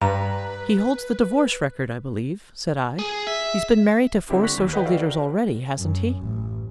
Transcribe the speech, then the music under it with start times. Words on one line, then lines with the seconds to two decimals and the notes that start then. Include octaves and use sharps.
"He holds the divorce record I believe," said I. "He's been married to four social leaders already, hasn't he?"
0.02 G2 B4 A#5
2.99 G#4
3.27 E5
4.30 D3 G3 C4 E4 G4
4.43 C#6 F#6 A#6 B6
4.58 D#2
4.73 B4 D#5 F#5 G5
4.86 F#4 A4 C5 D5 E5 F5
5.01 A#4
5.76 F#2
6.21 A1